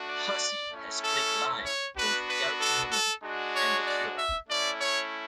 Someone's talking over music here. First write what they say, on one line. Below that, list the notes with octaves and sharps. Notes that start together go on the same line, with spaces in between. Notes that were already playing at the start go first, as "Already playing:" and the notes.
Hussey has played live with both Gary Numan and The Cure.
Already playing: A3 D4 F#4
D5
A3 C#4 E4
A4
C#5
B3 D4 F#4 B4
B4
A4
A4
G#3 D4 F#4
C#5
D5
E5
A3 C#4 E4 D5
C#5